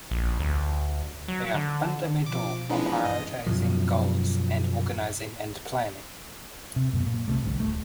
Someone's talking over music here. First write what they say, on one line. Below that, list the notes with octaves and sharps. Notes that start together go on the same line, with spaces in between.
They are fundamental for prioritizing goals and organizing and planning.
A#1
D2
F#3
D3
B2 F3 D6
E3 F3 G#3 B3 C#4 D4
G2 D#5
F#2 B2 F3
C3
F#2 B2
A#2
C2 G#2 C3 A3
G1 C2 G2 D3
D1 A3